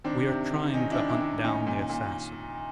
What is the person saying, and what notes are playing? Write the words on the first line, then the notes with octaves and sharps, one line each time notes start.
We are trying to hunt down the assassin.
D#3 C4 D4
C3
D#3
D#3 C#4 D#4
D4 E4
D#3
D4 E4
D#3
A#2 C#4 D#4
A#2
A#2